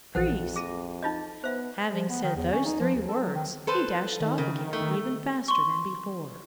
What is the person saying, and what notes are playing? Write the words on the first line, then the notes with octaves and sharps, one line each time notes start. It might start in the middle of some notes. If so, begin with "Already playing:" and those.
"Trees!" Having said those three words he dashed off again even faster than before.
A#1 F2 E3 A4 C5 F#5
G#4 D6 A#6 D#7
D#4 F4 D#5 G6 A6
B3 C5 E5
F3
B3
D#3
E2
C#4
D#4
F3
D#2
A4
F#3
D#3
A4 B4 C5
D#3
C#3
A3
C6 C#6